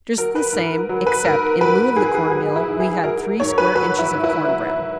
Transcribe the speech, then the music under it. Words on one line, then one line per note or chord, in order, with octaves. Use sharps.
"Just the same, except, in lieu of the corn-meal, we had three square inches of corn bread."
F#3 A#4
B4
G#2 A#4
F#3
B4
G#2 A#4
F#3 B4
G#2 G#4
G#4
F#3 G#4
E4
G#2
G#4
F#3 A#4
G#2 C#5
B4
F#3 B4
E4
G#2
E4
F#3